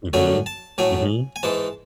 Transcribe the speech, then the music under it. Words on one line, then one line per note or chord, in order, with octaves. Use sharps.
Mhm. Mhm.
F#2 D3 F#3 A3 G#5
A5
A2 F#3 A3 G#5
G#5
G#2 E3 G#3 A5